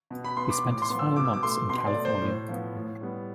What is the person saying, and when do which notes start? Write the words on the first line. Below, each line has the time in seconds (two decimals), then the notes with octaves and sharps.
He spent his final months in California.
0.10 B2
0.24 B5
0.37 B3 C6
0.50 D6
0.64 A2
0.71 D6
0.82 C6
0.90 F3 B3
0.99 E6
1.16 B2 D6
1.25 E6
1.33 D6
1.43 A3 C6
1.69 B2 C6
1.87 D5
1.95 A3
2.05 C5
2.21 A2
2.48 F3 B3
2.75 A2
3.01 G3 B3